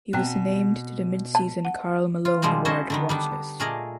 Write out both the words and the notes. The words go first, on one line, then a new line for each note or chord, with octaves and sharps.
He was named to the midseason Karl Malone Award watchlist.
B2 C4 G5 F#6
A5
F#5
F4
B2 F3 G3 G#3 C4
C#4 E4 F#4 A4 C5 D#5
D3 D#3 B3
G3 B3 D4
A#2 A3 G#4 A#4 D5 D#5